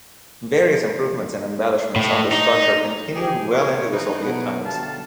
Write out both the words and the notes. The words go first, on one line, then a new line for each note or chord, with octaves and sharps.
Various improvements and embellishments of the structure continued well into the Soviet times.
A2
D#4
G4 G#4
C#4 F4 F#4 A#4 C5 C#5
E3 D#4
B2 F#3
B2 D3 G4 F5 A5